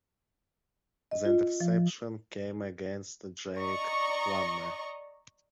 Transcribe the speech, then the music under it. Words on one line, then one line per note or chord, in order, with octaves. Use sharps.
The interception came against Jake Plummer.
D#5
F4
F3
D5 D#5 A#5 C#6